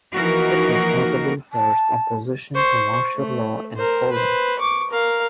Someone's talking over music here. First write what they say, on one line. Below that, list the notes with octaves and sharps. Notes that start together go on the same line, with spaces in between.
It was notable for its opposition to martial law in Poland.
E3 F3 A#3 D#4 F#4 A#4
A5
C5 C#6
A3
A#4 C5
B4 C5
C#6 D6
A#4 F5